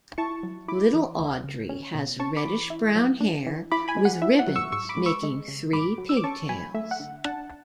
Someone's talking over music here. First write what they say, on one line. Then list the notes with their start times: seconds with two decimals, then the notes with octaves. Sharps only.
Little Audrey has reddish brown hair with ribbons making three pigtails.
0.18 E4 A5 C#6
0.43 F#3
0.68 E4 B5 D6
0.94 E3
1.19 D2
1.44 C#3
1.69 C#4
1.94 B2
2.20 C#4 A5 C#6
2.36 B5 D6
2.45 E3
2.70 E4
2.96 F#3
3.21 D4
3.47 E3
3.72 E4 B5 D6
3.88 G#5 B5
3.97 G#3
4.05 F#5
4.22 E4 E5
4.39 F#5
4.47 F#3
4.56 C#6 E6
4.72 G#2 C#6 E6
4.89 B5 D6
4.97 G#3
5.06 C#6 E6
5.23 G#3
5.48 C#3
5.73 G#2 B5 D6
5.98 F#3
6.09 E6
6.17 D6
6.24 C#4 A5 C#6
6.49 F#3 G#5 B5
6.74 A3 E5
6.91 F#5
7.00 D3
7.25 D4 F#5 A5